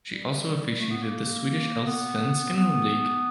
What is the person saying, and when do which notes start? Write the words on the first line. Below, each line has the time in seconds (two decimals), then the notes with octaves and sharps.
She also officiated in the Swedish Allsvenskan league.
0.08 G3
0.79 A3
0.91 B3
1.03 A#3
1.86 B3
2.57 B3